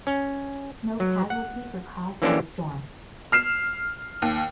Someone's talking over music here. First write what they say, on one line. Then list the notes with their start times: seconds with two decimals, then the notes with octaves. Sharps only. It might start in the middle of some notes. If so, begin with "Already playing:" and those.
No casualties were caused by the storm.
0.07 C#4
1.00 F#3
1.30 F#5
2.22 E3 A#3 C#4 D4 G4 A4
3.32 F6 C7 E7
4.22 D#2